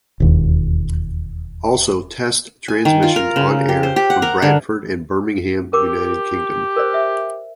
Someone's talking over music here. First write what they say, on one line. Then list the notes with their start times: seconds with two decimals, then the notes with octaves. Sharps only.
Also Test Transmission on air from Bradford and Birmingham United Kingdom.
0.20 E1 D#2
2.68 G#5
2.85 D#3
3.03 F4
3.16 A#4
3.36 C#3
3.69 G4
3.83 C5
3.96 G4
4.10 F#5
4.22 A#4
4.42 D3
5.73 G4 A#4 D6
6.76 A#4 C5 D5
6.94 E5